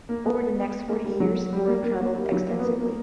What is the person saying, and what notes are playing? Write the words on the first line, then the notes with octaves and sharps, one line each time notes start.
Over the next forty years Moran traveled extensively.
A#3
B3
A#3
G3
F#3
G3
A#3
A#3
A#3
G3
F#3
A#3
B3
A#3
A#3